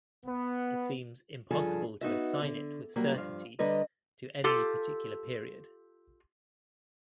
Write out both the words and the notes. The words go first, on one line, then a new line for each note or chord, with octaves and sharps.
It seems impossible to assign it with certainty to any particular period.
B3
G2 C#3 F3 G#4 A4 A5
B3 D#4 F#4 E5
D3
F#3 G3 A#3
G2 F3 F5
D3 G3 B4 D#5 A#5
F4 G4 A4